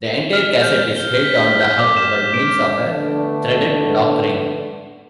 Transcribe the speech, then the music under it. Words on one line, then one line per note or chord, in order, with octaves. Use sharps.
The entire cassette is held on the hub by means of a threaded lockring.
F6
G6
G7
B6
G6
D6
E7
D7
D3 A3 B3 D4